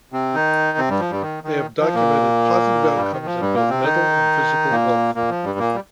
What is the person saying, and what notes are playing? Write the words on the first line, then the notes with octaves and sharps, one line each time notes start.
They have documented positive outcomes in both mental and physical health.
C3 C4
D#3 D#4
C3 C4
G2 G3
F3
G2 G3
D#3
D#3
F3
A#2 A#3
G2 G3
D#3
F3
G2 G3
A#2 A#3
C3 C4
D#3 D#4
A#2 A#3
A#2 A#3
F3
G2 G3
A#2 A#3
G3